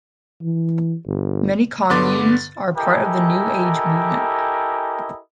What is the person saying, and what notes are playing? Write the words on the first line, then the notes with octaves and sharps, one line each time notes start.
Many communes are part of the New Age movement.
E3
G1
G2 D3 B3 C6 D6 A6
E4 G4 A4 A#4 D#5 G#5